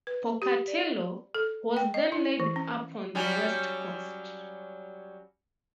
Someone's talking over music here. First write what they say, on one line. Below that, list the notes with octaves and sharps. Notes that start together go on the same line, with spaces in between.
"Pocatello" was then laid up on the west coast.
B4
G4
D5
A4
G5
D#5
E4
E3
C#4
F#3 G3 C#4